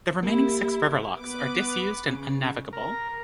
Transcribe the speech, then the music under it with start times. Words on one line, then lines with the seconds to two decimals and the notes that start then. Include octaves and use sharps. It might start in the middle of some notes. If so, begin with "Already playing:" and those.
The remaining six river locks are disused and unnavigable.
0.23 A#3 E4 G4
1.15 B3 B4 D6
2.07 C#3
2.73 A#4